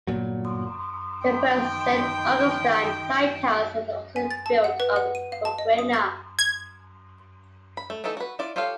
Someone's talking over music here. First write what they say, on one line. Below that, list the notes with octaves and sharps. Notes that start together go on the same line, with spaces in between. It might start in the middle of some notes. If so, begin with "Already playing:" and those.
The first Saint Augustine Lighthouse was also built of coquina.
G1 C2 A#2 F#3
D#3 G5
G#5
A6
A5
F#5
B4
F#5
D#7
F5
A5
D#5
D#6
A6
G#6
B5
A3
E3 A3 D#4 A4
F#4 B4
E4 F4 D5
F4 G4 A4 C#5 F5